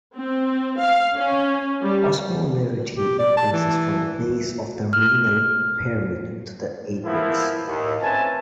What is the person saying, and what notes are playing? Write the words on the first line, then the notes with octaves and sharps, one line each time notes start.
Osmolarity increases from the base of the renal pyramid to the apex.
C4
F5
C#4
G3
G4
D5
A5
E3
F6
E3 F3 A#3 B3 E4
D#2
C4 C#4 B4 E5 G#5 A5